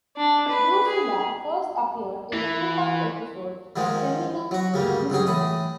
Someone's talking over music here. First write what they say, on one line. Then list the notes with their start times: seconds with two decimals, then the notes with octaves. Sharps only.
Drusilla first appeared in the two-part episode "The Feminum Mystique".
0.17 D4
0.48 B4
0.88 G#4
2.33 E3
3.76 G#2 D#3 F3 G#3
4.51 F#3 F#4
4.74 D2 G2 C#3 A#3
5.10 C#2 G2 F#3 G#4
5.27 A2 E3 D#6